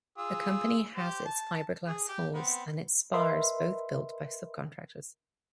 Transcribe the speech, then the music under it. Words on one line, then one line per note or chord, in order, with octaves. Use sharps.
The company has its fiberglass hulls and its spars both built by subcontractors.
F4 G#4 E6
G4 C5
A5
G#4
G4 G5
B3 C4 B4
A#4 B4 D#5 E5 B5 C6